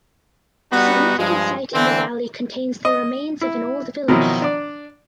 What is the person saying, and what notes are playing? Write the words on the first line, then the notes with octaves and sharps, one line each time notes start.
A significant site in the valley contains the remains of an old village.
G3 B3 D#4 F#4
G2 F3 G#3
D3 E3 C4
D#5
E4
B2 D#3 F3 F#3 E4
D4 D5